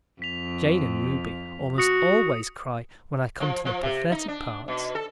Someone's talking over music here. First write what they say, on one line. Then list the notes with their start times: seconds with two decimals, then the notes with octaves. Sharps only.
Jane and Ruby almost always cry when I come to the pathetic parts.
0.22 F2 B6 F7
1.78 F#4 D#6 C#7
3.40 F3
3.65 F3
3.83 C3
4.12 D#4
4.28 D4
4.68 B2
4.95 A4